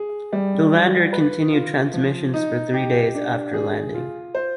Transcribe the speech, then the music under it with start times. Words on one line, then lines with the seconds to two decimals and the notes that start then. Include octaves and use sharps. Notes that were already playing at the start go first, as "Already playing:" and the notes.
The lander continued transmissions for three days after landing.
Already playing: G#4
0.33 G3
0.73 F4
1.13 B4
1.53 F4
1.94 F3
2.34 D#4
2.74 G4
3.14 D4
3.54 G#4
3.94 F4
4.35 C5